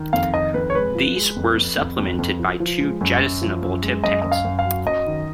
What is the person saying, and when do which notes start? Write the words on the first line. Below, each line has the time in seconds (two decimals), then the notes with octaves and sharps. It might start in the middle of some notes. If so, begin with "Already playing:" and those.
These were supplemented by two jettisonable tip tanks.
Already playing: D#3
0.13 F2 F5
0.34 D#3 D#5
0.54 F2 B4
0.70 C#5
0.75 G#3 B4
0.95 F3
1.16 G#3
1.36 F2
1.58 F2
1.78 F2
1.99 F2
2.19 F2
2.39 F3
2.60 F3
2.80 G#3
3.01 F#2
3.22 F#2
3.42 F3
3.63 F#2
3.83 G#3
4.04 F#2 D#5
4.22 F#2 D#5
4.32 F5
4.44 F#2
4.59 F5
4.65 F#3
4.86 F#2 D#5
5.07 D#3